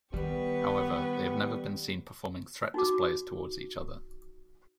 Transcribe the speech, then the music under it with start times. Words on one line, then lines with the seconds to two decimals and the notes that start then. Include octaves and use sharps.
However, they have never been seen performing threat displays towards each other.
0.14 D#3 G3 B3 G4 B4 C#6
2.74 D#4 F#4 D6